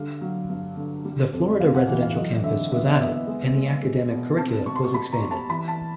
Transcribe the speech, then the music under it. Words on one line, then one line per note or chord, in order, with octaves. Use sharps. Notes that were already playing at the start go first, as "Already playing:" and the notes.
The Florida residential campus was added and the academic curricula was expanded.
Already playing: D3 G3 F5
F#3
G2
D3
G3
F2
C3 F5
F#5
E3 F#5
F5
F#3 D#5
D3 E5
B3 E5
D#5
B3 E5
E5
G#3
G#3
G#3
B2
C4 A5
G3 C#6
C6
C#6
G3 B5
A#5
G3
A5
E3 B5
A5